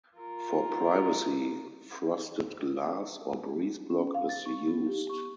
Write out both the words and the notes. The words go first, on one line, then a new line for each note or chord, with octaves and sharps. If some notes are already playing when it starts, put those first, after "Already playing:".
For privacy, frosted glass or breeze block is used.
F4 A#4
C#4
F5
A6
C#6
B3
G4
C#6